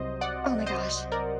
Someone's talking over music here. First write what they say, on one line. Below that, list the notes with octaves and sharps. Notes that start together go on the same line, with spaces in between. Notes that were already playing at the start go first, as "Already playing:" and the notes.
Oh my gosh.
Already playing: C2 C3 F#3 C5 D#5
D5 F#5
C5 D#5
A#4 D5